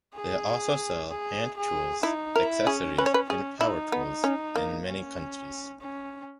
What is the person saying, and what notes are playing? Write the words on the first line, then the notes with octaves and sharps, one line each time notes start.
They also sell hand tools, accessories and power tools in many countries.
G#4
G#4
G#4
D#4 E4
E4 A#4
C#4 G#4
C#4 B4
C#5
B4
C#4 G#4
D#4 E4
B3
C#4
A#3
C#4
C#4